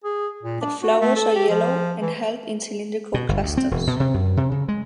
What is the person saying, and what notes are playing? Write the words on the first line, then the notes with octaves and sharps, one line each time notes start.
The flowers are yellow, and held in cylindrical clusters.
G#4
A#2
D4
F#4
A3
A4
G4
F3
E3
B2
G1
D2
C4
E1
B2
C3
F#2
C3
C#3
G#3